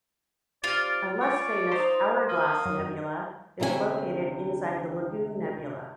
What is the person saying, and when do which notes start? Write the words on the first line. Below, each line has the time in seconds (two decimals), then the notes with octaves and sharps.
A less-famous "Hourglass Nebula" is located inside the Lagoon Nebula.
0.64 C3 F4 D5
1.21 C#5 D5
1.72 D#4 C5
2.29 A#3 D#6
2.65 F#2
3.60 D2 C3 C#4 G4 G#5